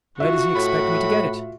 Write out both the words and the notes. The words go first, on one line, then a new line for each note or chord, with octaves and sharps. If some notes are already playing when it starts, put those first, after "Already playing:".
Where does he expect me to get it?
F4 F#4 E5
A2 B5